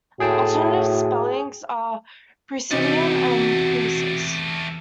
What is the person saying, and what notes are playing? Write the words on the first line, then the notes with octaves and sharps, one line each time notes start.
Alternative spellings are "presidium" and "preses".
A2 F#4 G#4 G5 A5
E2 C3 A3 D#4 F#4 G4